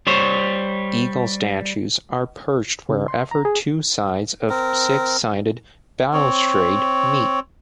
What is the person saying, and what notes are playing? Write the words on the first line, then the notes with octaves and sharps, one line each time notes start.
Eagle statues are perched wherever two sides of six-sided balustrade meet.
G3 C5 C#5
C#3
C6
A#5
G#4
C4 A#4
C4 C#5